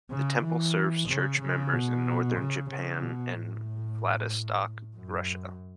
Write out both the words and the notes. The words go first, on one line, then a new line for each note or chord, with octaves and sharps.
The temple serves church members in Northern Japan and Vladivostok, Russia.
C#3
E3
C#3
C#3
B2
C#3
C#3
B2
A2
F#2